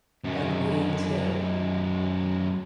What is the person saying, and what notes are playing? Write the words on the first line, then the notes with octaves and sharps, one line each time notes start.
agreeing to
F#2 D#3